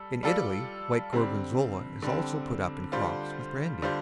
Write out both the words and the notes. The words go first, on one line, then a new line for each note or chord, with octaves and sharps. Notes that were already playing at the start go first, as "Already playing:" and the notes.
In Italy white Gorgonzola is also put up in crocks with brandy.
Already playing: G3 A4
G3 F4 A4 D5
D3 G3 C4
D3 G3 C4
D3 G3 F4 C5
D3 G3 F4 C5